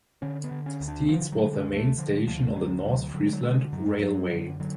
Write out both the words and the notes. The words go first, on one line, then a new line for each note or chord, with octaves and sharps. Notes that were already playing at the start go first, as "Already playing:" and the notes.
Stiens was the main station on the North Friesland Railway.
D3 C#4
B3
D3
C#4
D2
D4
D3 F3
F#3
D3
G#3
D2
A3
D3 F3
D2 F3
D2 F#3
D2 F#3
D3 F#3
F#3
D3 G#3
F#2 F#3
G#3
F#2 F#3
D3
D3 F#3